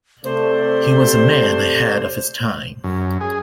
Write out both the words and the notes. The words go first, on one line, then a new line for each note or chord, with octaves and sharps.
He was a man ahead of his time.
C3 A3 C5 D5
F#2
G#4